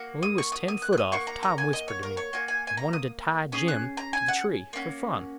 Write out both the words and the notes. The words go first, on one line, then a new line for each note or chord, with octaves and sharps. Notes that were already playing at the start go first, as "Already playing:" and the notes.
When we was ten foot off Tom whispered to me, and wanted to tie Jim to the tree for fun.
Already playing: A#3 F#4
D#6
C#6
D#6
D#6
F#6
F#6
D#6
A#3 F#4 C#6
A#5
A#5
G#5
D#5
C#5
A#4
C#5
A#3 F#4 G#5
G#5
G#5
A#5
D#6
C#4 G#4 D#6
F#6
A#5
G#5
F#5
A#3 C#4 F#4